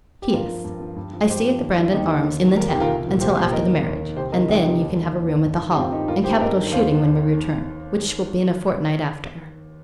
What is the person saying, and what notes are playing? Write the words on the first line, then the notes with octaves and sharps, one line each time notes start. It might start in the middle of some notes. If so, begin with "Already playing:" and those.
'P.S.--I stay at the Brandon Arms in the town, until after the marriage; and then you can have a room at the Hall, and capital shooting when we return, which will be in a fortnight after.'
G4
G2 F4 A#4
F3
G2
F3
G2
F3
G2 G4 C5
F3
D#2
D#3
D#2 D#4 G4
D#3
D#2
D#3
D#2 A#4
D#3 G4
F4 A#4
C2
A#2 F3
C2 G4 C5
A#2 F3 G4 C5
D#2 A#4 D#5
D#3
D#2
D#3
C2 G4 C5
C3 D#3 A#4 D#5
C2 D#4 G4
C3 D#3
D#2
D#3
D#2
D#3
G2
D#3
G4
G2 C4 F4
D#3 D#4 G4
G2 F4 A#4
D#3 G4 C5
G2 A#4 D#5
D#3
D#2 C5 F5
D#3
D#2
D#3